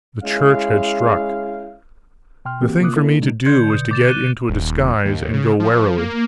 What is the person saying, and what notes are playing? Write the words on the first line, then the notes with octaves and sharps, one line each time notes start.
The Church had struck; the thing for me to do was to get into a disguise, and go warily.
G#3 C#4 E4 F5
B2 G5 C6 F6
E3 A#3 C4 F#4 G4
C3 A#3 F4 D6 D#6 F#6
A#3 C#4 E4 A4 A#4
A#2 C#3 G#3 D4 D#4
D3 C6 G6 G#6 C#7
B2
D6 A6 E7
F#6 D#7 G7
D#1
D#2
C#3
F3
A#3